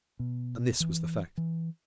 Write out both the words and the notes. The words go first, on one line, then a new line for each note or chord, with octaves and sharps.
And this was the fact.
B2
E3
E3